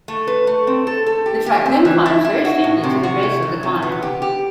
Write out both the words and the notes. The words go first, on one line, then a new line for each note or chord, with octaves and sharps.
The track then climbs very steeply to the base of the climb.
A3
B4
A3
C4
A4
A4
G4
G4
C4
E3
E4
E4
F#4
A2
C3
F#4
E4
F#3
C3
B3
G4
G4